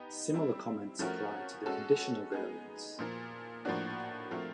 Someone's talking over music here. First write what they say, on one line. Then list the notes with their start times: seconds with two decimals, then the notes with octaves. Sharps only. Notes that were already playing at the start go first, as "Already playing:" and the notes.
Similar comments apply to the conditional variance.
Already playing: B3 D#4 G4
0.34 G3 C4 E4
0.99 F3 A3 C#4 F#4 A#4
1.66 G#3 C#4 F#4 A4
2.32 G#3 B3 D#4 G#4
2.99 A#2 F3 A#3
3.65 A2 F3 A#3 D4 F#4
4.31 F3 A3 C4 F4 A#4